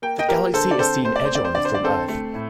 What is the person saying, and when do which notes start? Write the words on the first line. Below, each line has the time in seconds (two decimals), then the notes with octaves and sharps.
The galaxy is seen edge-on from Earth.
0.02 A#3 G5
0.19 D#5 G5
0.28 A#3 G4 A#4
0.53 D3 A4 C5
0.71 D5
0.79 C4 A4 C5
1.05 A3 C5
1.16 D5
1.25 C5
1.32 C4 D5
1.44 C5
1.55 D3 D5
1.65 C5
1.74 D5
1.83 C4 A4 C5
2.08 A3
2.35 A2